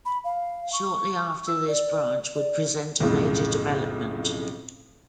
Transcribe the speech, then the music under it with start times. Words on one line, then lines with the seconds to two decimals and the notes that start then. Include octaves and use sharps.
Shortly after this branch would present a major development.
0.05 B5
0.24 F5
0.73 C#6
1.47 E6
1.68 D5
2.35 D5
3.00 B1 F2 A2 C#3